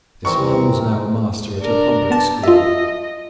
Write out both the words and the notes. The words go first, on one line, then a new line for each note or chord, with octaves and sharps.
This man was now a master at a public school.
D#2 E3 G3 C4 A#4 C#6
D4 A#4
B3 A5
F4 D#5 E5